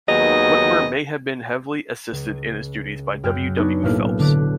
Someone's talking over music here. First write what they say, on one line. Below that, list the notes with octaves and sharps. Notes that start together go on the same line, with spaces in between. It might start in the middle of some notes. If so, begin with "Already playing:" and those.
Whitmer may have been heavily assisted in his duties by W. W. Phelps.
D#2 D#3 F#3 B3 G#4 D#5
C#2
F#2 G5 F6
B3 D4 D#4 F#4 B4 C#5
B1 A2 A#3 B3 E4 F6
D3 D5 D6 F#6 B6